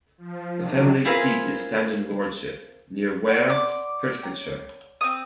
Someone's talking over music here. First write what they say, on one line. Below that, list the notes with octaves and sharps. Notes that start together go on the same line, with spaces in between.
The family seat is Standon Lordship, near Ware, Hertfordshire.
F3
C3 D#3 F#3 D4
C4 E4 F4 G#4 A#4 B4
D5 F#5
B4 C6 D6
C#5 G5 A#5
C4 D#6